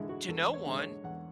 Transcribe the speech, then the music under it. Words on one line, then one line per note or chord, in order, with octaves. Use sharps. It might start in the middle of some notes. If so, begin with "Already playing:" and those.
to no one
Already playing: E2 D3 G#3 E4
F#4
E2 A4
C#5
D3 G#3
C#5
E2 F#5